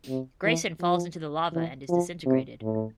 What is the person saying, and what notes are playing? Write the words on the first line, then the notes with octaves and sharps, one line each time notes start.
Grayson falls into the lava and is disintegrated.
C3
E3
F3
E3
F3
C3
A2